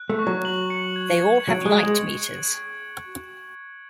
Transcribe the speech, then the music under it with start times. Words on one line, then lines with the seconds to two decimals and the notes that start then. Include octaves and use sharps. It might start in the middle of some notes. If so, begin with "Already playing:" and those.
They all have light meters.
Already playing: F#6
0.10 A3
0.19 C#6
0.27 F#3
0.45 F#7
0.70 C#7
0.96 G#6
1.22 G#6
1.48 F#3 D7
1.66 G#3
1.74 G#6
1.83 G#3